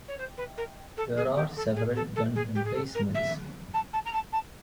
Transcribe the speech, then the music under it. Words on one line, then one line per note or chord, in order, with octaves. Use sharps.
There are several gun emplacements.
C#5
C5
B4
A#4
A4
G#4
G4
A4
G#4
A4
A4
G#4
G4
G#4
A4
A#4
E5
A5
A5
A#5
A5
A5